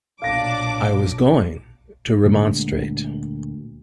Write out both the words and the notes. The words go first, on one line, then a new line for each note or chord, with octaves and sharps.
I was going to remonstrate.
B1 A#2 D4 F5 D6 A#6
D2 A#2 G#3